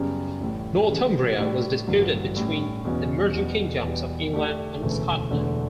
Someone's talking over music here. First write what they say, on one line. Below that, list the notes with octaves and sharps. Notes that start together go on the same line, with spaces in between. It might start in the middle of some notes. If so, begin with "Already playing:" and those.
Northumbria was disputed between the emerging kingdoms of England and Scotland.
Already playing: F#2 C#3 G3 B3
A1 A2 G3
C#3 E3 G3
A2 G3 D4 G4
A1 G2 D3 F#3
A2 G3 C#4
E2 B2 F#3 C#4
E2 B2 G3
E2 B2 G3
D3 A3 D4 G4
E1 D2 C#3 E3 A3
E1 E2 D3 A3